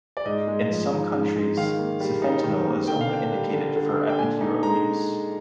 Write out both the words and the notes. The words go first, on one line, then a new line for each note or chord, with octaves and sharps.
In some countries, sufentanil is only indicated for epidural use.
D5
G#2 D#5
G#3
F3
D#4
G#2
G#3
D#3 F5
A#3
G3
D#4
D#3
A#3
D3 G5
F5
D4 G5
G3
D3
D3
D4
G5
A#2 G#5
D#4
G#3 A#5